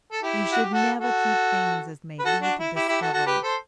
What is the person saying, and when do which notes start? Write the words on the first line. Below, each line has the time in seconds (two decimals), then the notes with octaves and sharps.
You should never keep things as may lead to discovery.
0.12 A4
0.22 E4 G4
0.52 F#4
0.63 G4
0.73 F#4 A4
0.98 F#4 A4
2.19 B4
2.25 F#4 A4
2.42 D4 F#4
2.59 E4
2.76 E4 G4
2.88 E4 G4
3.01 F#4 A4
3.14 F#4 A4
3.26 G4 B4
3.43 A4 C5